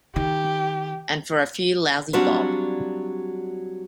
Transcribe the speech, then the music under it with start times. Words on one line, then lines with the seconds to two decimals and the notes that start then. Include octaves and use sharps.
And for a few lousy bob.
0.16 D#3 G4
2.13 F#3 G3 C4 D4 F4 F#4